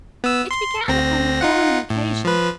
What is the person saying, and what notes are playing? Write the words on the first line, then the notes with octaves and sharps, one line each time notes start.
It began upon the following occasion.
B3 E6
C6
D2 C4 A#6
D#4 F4 F#5
A2
F3 B4